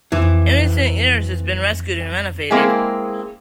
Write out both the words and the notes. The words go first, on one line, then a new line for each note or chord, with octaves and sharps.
In recent years it has been rescued and renovated.
F2 E3 D6 E7
G#3 A#3 C4 E4 G#4